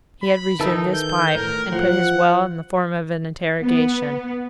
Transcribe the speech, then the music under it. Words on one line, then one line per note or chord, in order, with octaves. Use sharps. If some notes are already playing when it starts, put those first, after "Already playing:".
He had resumed his pipe, and put his 'well' in the form of an interrogation.
B5
D#3 E3 D#4 A4
G6
A2 A#4
F3 F#5
B3